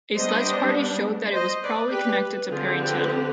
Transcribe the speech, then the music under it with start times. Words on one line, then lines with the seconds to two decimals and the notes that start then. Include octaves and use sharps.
A sledge party showed that it was probably connected to Parry Channel.
0.16 G3 B3 D4 C5 D#5
1.33 C5 D#5
1.63 B4 D5
1.91 G4 B4
2.50 D3 F3 C4 F4 G#4
2.79 G4 B4